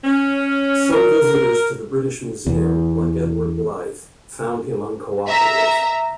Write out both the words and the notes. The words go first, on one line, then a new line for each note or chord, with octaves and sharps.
Some visitors to the British Museum like Edward Blyth found him uncooperative.
C#4
A#4
E2
E5 A#5